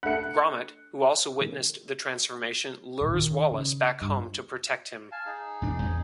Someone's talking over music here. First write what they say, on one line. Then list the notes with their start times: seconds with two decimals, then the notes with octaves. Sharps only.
Gromit, who also witnessed the transformation, lures Wallace back home to protect him.
0.03 A3 D4 F#5 F#6 C#7
3.01 D#1
3.14 D#3
3.52 C#3
4.02 G2
5.12 F5 G#5 A5
5.26 D#4 G#4
5.62 E1 D4
5.82 E2